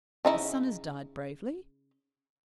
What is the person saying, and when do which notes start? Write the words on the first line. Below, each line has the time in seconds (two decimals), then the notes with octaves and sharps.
Her son has died bravely.
0.25 C#3 D#4 E4